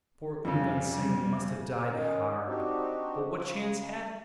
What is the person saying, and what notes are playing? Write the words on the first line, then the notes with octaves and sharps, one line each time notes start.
Poor Ungan Singh must have died hard; but what chance had he?
F2 C#3 G3
D#3 C#4 D#4
C4 D4 D#4 F#4 G4
C#3